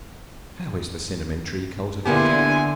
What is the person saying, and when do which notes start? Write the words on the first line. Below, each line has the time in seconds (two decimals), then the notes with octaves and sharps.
How is the Cinnamon Tree cultivated?
2.06 D3 A#3 B3 E4 G4 G#5 C6